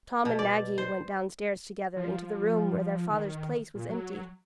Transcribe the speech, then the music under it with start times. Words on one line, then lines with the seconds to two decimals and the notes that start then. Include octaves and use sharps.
Tom and Maggie went downstairs together into the room where their father's place was empty.
0.25 B2
0.39 D5
0.78 C5
1.96 F3
3.10 D#3
3.75 A#2
3.89 F#3